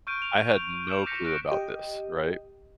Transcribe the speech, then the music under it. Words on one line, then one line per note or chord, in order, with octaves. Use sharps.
I had no clue about this, right?
C#6 F6 G6 D7 D#7
F7
D6 E7
D6 F6 G6 A#6 B6 C#7
F6 F#6 A#6 D7
G4 D#5